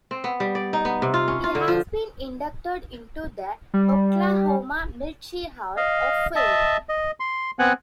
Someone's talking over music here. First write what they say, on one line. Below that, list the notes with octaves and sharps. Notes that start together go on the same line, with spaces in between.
He has been inducted into the Oklahoma Military Hall of Fame.
C4
B3
G3
D5
D#4
B3
C3
F4
C#4
F4
D3
F3
G3
D#5 F5
D#5 E5 A5
D#5
C6
B3 C4 F#5 G#5 F#6